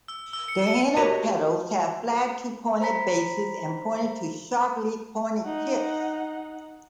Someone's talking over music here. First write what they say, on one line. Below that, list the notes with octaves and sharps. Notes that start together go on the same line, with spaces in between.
The inner petals have flat to pointed bases and pointed to sharply pointed tips.
E6
E6
C#7
C#7
F#4 G4 A#4 B4 C#5 D#5
C5 A#5 B5 B6
D#4 F#5